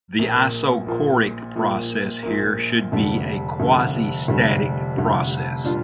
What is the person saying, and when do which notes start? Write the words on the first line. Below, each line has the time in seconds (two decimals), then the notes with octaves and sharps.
The isochoric process here should be a quasi-static process.
0.18 A#1 A#2 A#3
0.86 A#1 A#2 A#3
1.55 A#1 A#2 A#3
2.23 A#1 A#2 A#3
2.92 F1 F2 D3 G3
3.60 F1 F2 D3 G3
4.28 F1 F2 D3 G3
4.96 F1 F2 D3 G3
5.64 A#2 G3 D4 F4